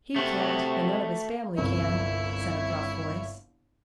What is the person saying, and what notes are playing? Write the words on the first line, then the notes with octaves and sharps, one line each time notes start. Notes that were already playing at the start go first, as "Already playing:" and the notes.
"He can't, and none of his family can," said a gruff voice.
C3 A3 F#4
G1 C2 E4 C#5 E5